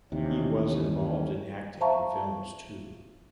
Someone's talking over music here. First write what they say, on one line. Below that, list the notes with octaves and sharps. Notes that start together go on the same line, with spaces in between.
He was involved in acting in films too.
D#2 C3 D#3 E3 C#4
C5 E5 F5 A5 A#5 C#6